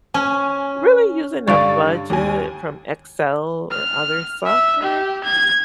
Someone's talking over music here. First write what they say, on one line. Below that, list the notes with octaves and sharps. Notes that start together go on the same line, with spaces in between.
really using a budget from Excel or other software,
C#4 G#5
G2 D3 D5 F5 C#6 A6
D#2 G#5
F6
E5
G4
G#6